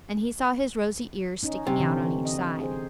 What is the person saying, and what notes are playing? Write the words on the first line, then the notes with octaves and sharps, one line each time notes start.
And he saw his rosy ears sticking out on each side.
C#4 D#4
C3
D3 E3
D#5
G#4 C5